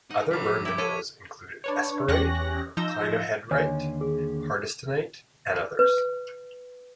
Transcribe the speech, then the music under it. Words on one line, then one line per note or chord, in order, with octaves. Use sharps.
Other rare minerals include esperite, clinohedrite, hardystonite, and others.
D#4 F#5
G2 F3 F#3 B5 D6 B6
E4 G4
A4 B4 C#5 G#6 D#7
D4 B4 C#5
E2 C#4 G4 C#6 F#6 A#6
F3 D#4 E6 G6 A#6
D#2 D3 C#5 D#5 G#5
G#4
B4